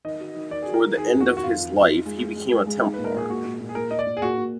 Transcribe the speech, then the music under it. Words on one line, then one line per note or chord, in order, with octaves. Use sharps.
Toward the end of his life he became a Templar.
D#3 D#5
F#4
D#3
D#3 D5
F#4 G#4
A#4
F#4
D#3 G#4
F2
F#4
D#3
F#4
F2 F4
F2
F2
D#4
G#3
G#3
G#3
G#3
G#3
D#4
A#2 B4
A#4
A#2 G#4
A#2 F#4
A#2
A#2
G#4
A#2 A#4
A#2 D#5
D5
A#2
G#4
A#2 F#4
A#2